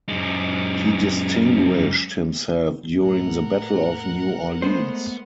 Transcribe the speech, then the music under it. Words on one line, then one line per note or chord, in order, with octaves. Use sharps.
He distinguished himself during the Battle of New Orleans.
F#2 G#3
A2 A#4 F#5
G#3 A3 B3 C5